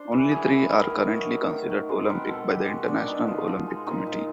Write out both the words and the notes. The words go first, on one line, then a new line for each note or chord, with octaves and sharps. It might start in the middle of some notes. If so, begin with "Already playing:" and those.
Only three are currently considered Olympic by the International Olympic Committee.
Already playing: D4 C5
E3 A#4
F#3 G#4
A3
D#3 A#4
D#3
F#3
A3
D#3
D#3
G#3 C5
C4 A#4 B4
B2 A4
B2 G4
G#3 F#4
C4 D4
B2 D#4
B2 F4
F3 D#4
G#3
A#2 D#4
A#2